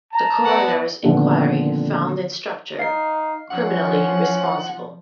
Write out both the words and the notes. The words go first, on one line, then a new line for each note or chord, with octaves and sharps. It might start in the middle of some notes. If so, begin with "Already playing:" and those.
A coroners inquiry found the instructor criminally responsible.
A5 A#5
B3 D5 F#5
A#2 D3 D#3 F3 B3 C4
D#4 F5 C7
F3 C#4 F#5